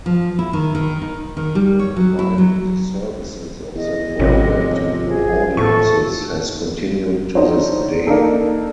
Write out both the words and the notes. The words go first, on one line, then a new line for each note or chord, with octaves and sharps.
Providing the services of the program to new audiences has continued to this day.
F3
E4
D#3
D#3
D#4
D#3
G3
C#5
F#3
E4
F#3
E2 D#5
G#1 F2 C3 C#4
F3 G#4
A2 A4 C#6
D4 D#4 F#4 C5 C#5
A#3 D4 D#4 A4